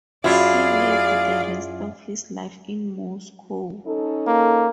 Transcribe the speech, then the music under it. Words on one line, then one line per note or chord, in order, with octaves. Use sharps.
He lived the rest of his life in Moscow.
F#2 E4 F4 G#4 D5 F5
C#4 D#4 A4
A#3